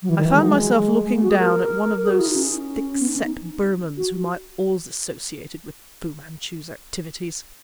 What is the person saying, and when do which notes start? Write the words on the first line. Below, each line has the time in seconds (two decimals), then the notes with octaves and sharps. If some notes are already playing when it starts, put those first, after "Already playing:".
I found myself looking down at one of those thick-set Burmans whom I always associated with Fu-Manchu's activities.
0.02 F#3
0.09 E3
0.18 D#3
0.25 E3
0.34 G#3
0.41 F#3
0.49 G#3
1.06 G#3
1.14 A#3
1.22 F#4
1.30 G#4
1.39 A#4
2.03 G#4
2.11 F#4
2.19 E4
2.27 D#4
2.36 C#4
2.99 B3
3.08 D#4
3.16 C#4
3.24 D#4
3.97 F#4